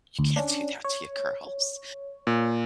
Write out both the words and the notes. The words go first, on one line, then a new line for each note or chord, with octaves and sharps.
you can't do that to your girls.
D2
C#4 D4
C#5
A#2